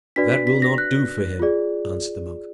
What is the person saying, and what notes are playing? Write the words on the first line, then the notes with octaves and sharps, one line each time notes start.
"That will not do for him," answered the monk.
D4 F#4 B4 D5 B6
B6
B6
A#6
F#6
F4 G#4 D5